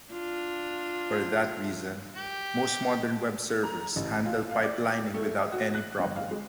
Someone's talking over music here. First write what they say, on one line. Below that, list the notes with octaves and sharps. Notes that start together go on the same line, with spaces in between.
For that reason, most modern web servers handle pipelining without any problem.
D4 F4
G4
A#5
A1
F4
F5
D5
A3
D#5
F#4
F#6
G1
F5
G#3